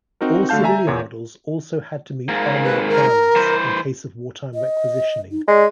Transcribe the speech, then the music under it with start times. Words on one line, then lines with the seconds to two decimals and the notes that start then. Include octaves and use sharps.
All civilian models also had to meet Army requirements, in case of wartime requisitioning.
0.21 C4 D#4 F#4 A#4
0.49 D3 A3 F#4 F5 A5 G6
0.64 E5 G#5 A#5
0.87 E2 A#2 C#5
2.28 G#2 A#3
2.64 B4
2.89 A#4
3.35 E3 C5
4.55 D#5
5.31 D#4
5.48 G#3 D5